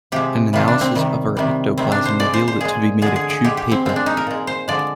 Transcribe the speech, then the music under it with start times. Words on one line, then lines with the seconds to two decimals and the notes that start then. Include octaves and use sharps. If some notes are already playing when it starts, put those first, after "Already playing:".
An analysis of her ectoplasm revealed it to be made of chewed paper.
0.12 C3 F3 G#3 G4
0.53 C3 D#3 G3 F4
0.68 D4
0.81 C4
0.95 C3 D#3 G3
1.37 C3 D#3 G3
1.78 C3 D#3 G3 C4
1.92 D4
2.05 C5
2.19 A#2 G#3 D5
2.34 C5
2.48 C5
2.61 A#2 G#3 G#4
3.02 D3 G#3 G#4
3.16 G#4
3.30 G#4
3.44 D3 G#3 G4
3.57 G4
3.72 C4
3.85 A#2 G#3 C4
3.96 D4
4.06 D#4
4.17 A#4
4.27 A#2 G#3
4.47 C5
4.68 D3 F3 G#3 D5